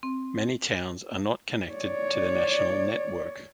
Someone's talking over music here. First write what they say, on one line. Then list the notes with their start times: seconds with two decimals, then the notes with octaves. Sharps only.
Many towns are not connected to the national network.
0.03 C4
1.70 C#5 D5